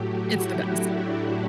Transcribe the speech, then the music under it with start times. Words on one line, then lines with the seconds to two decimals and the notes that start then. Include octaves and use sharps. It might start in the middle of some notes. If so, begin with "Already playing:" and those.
It's the best.
Already playing: A2 F#3 A3 F#4 G4
0.23 E4
0.59 D4
0.96 E4